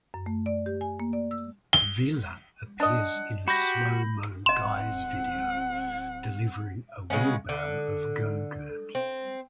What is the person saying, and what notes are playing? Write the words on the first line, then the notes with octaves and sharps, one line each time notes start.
Vila appears in a Slow Mo Guys video delivering a wheelbarrow of Go-Gurt.
F#2
A3
D5
G4
G#5
A#3
D5
E6
G7
D4 D#5 F#5
F#4 G4 B5 G6 A#6
D1 C4 D#5 F#5 C6 E7
C#3 G#3 B3 C#4
D3
C4